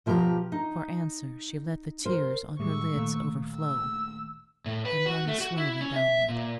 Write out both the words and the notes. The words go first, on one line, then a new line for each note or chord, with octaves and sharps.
For answer, she let the tears on her lids overflow and run slowly downward.
B2 F3 G4 C5 A#5
D#4
A#4 C5
A2 G3 G#3 C#6 E6
A#2 D#3 A3
E6
A2
B4
F#4
A3
F#4
E4
C#4
E5
A#2